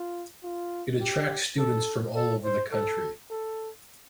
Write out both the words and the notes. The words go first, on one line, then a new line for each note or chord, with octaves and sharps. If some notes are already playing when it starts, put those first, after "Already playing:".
It attracts students from all over the country.
Already playing: F4
F4
G4
A4
A4
C5
A4
A4